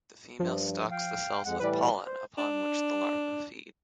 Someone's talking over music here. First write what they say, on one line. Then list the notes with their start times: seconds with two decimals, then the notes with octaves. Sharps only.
The female stocks the cells with pollen upon which the larvae feed.
0.40 G2 F3
0.91 F5 G5
1.45 F2 G#3 F#5
1.60 A2 E3 G3 B4 D5
2.07 C5
2.38 D4